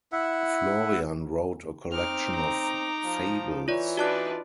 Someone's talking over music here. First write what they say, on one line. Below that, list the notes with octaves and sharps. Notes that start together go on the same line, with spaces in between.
Florian wrote a collection of fables.
E4 E5 F#5
C4 D#4 D6 F6
A#5
F3
E3 F4 C#5 D5
D4 D#4 F4 F#4 B4 D5 A5 F#6